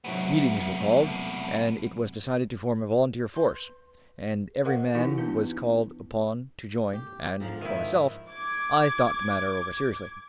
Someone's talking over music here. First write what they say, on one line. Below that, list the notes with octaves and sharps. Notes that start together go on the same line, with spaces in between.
Meetings were called, and it was decided to form a volunteer force, and every man was called upon to join, and, for myself, I thought the matter over seriously.
C2 G#2 F#3 A3 B3
B4 C6
A#4 C5 D#5 F5 F#5
E3 D#4 E4 F#4 G4 G#5
B3 D4 F#4 B4
G4
G#2 D3 F3
D#3 E4
D6 G#6